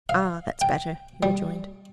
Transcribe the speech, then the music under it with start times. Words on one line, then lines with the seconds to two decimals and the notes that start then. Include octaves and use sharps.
"Ah! that's better," he rejoined.
0.09 F5
0.61 G5
1.23 G3